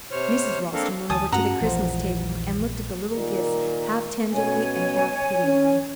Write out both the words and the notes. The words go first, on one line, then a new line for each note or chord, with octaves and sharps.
Mrs. Ralston went over to the Christmas table and looked at the little gifts half tenderly and half pityingly.
C3 C5 C#5 F6
A#3 C4 D4 A4 A#4 F5
D2 E3 G#5 A5 D#6
G2 A3 C#4 F#4 F#5 A#5
A#1 E2 F3 F4 C5
A#2 D#3 A#4
B2 C#4 C#5 G#5
C#4